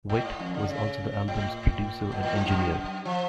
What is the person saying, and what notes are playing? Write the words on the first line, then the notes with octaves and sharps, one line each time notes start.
Wirt was also the album's producer and engineer.
A2
G#2
F2
D3
C#3
A2
B2
A2
G#2
F#2
F3